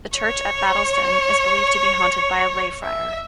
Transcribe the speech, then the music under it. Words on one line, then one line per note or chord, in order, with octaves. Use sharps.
The church at Battlesden is believed to be haunted by a lay friar.
C#5
E5